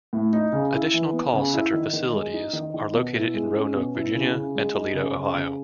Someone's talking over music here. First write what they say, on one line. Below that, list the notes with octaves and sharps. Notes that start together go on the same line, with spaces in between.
Additional call center facilities are located in Roanoke, Virginia and Toledo, Ohio.
A2
D#4
C#3
E4
E3
B3
C#3
E4
D#3
D#3
G#3
D#4
D#3
D#3
B2
E4
G#3
C#4
B2
E4
C#3
C#3
G#3
D#4
C#3
C#3
C#3